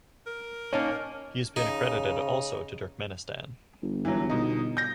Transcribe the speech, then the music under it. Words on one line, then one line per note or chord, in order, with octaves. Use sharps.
He has been accredited also to Turkmenistan.
A#4
A#3 C#4 D#4 C#5 G#5 A5
C#3 D#4
G1
E3 F#3
B2 D#4
G6 A#6